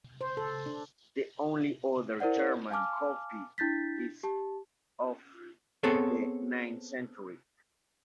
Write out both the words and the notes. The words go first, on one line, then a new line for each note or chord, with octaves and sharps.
The only other German copy is of the ninth century.
C5
A4
D4
E4 A#4 C5 D5 F#5
F5 G#5 A5 D6 F6
D4 E4 G6 A6 B6
G4 A5
B3 C4 G#4 A4 C#5